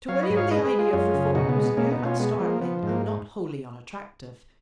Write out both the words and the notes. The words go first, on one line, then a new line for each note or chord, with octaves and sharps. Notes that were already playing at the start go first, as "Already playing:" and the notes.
To William the idea of reform was new and startling and not wholly unattractive.
F#3 C#5 F5
B4 D#5
G#2
C#5 F5
G#3 B4 D#5
G#4 B4
G#3
F4 G#4
F#2 C#4 F4
C#3
B2 D#4 F#4
B3
G#3
B3
B2 A#3 C#4
B3 D#4
B2
C#4 F4
G#3 B3
B3
F3
A#3
F3 B3
G#2
A#3